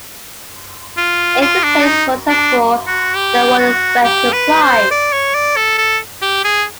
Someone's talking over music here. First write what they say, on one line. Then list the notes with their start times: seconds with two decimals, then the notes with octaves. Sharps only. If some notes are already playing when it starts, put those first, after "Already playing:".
If the players were successful they won a special prize.
0.97 F4
1.42 F4
1.64 D4
1.85 D#4
2.29 D4
2.87 F#4
3.16 G4
3.59 F#4
4.04 G4
4.33 B4
4.62 C5
4.91 D5
5.13 C#5
5.35 D5
5.57 A4
5.78 A4
6.22 G4
6.44 G#4